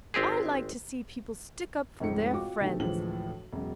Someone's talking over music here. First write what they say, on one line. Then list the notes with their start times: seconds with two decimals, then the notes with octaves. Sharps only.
I like to see people stick up for their friends.
0.14 G#1 C4 G4 G#4
2.00 F1 C#2 G#2 C#7
2.33 F4 F#4 G5 D6
2.60 B2 D3 D#3 A3 G4
2.80 D2 A2 E3 F3 G#3 F#7
3.53 E1 F#2